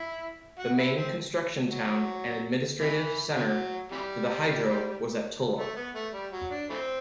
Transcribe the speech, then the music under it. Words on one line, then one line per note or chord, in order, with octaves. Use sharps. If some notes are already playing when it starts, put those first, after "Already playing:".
The main construction town and administrative centre for the Hydro was at Tullah.
Already playing: E4
F#4
E4
C4
F#3
C3 E3
D3 F#3
C3 E3 G3
A3
B3
A3
G3
F#3
D4
E3 A3 C4